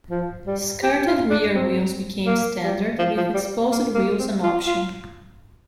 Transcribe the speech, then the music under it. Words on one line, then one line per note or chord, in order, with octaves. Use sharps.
Skirted rear wheels became standard, with exposed wheels an option.
F3
G3
G4
F4
D4
C4
A#3
G3
F3
F3
G3
A#3
A#3
C4
F4
F4